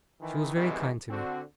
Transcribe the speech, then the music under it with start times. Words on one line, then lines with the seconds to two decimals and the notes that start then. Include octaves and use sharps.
She was very kind to me.
0.21 D#3 E3
0.55 B2 D#3 E3 G3 G#3 C4
1.09 D3 C4 F#4